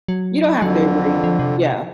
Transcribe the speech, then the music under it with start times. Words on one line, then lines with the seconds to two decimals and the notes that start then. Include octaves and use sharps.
You don't have to agree. Yeah.
0.08 F#3
0.62 F2 D3 F#3
1.24 F3
1.39 C3